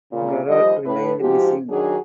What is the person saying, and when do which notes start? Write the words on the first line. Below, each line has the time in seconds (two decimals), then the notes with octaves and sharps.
Garat remained missing.
0.12 A#2 C#3
0.49 D#2 F3 G3 C5 D#5
0.85 A2 B4
1.20 G#2 F3 F#4 G4
1.69 D#3 F#3 D4 F#4 G#4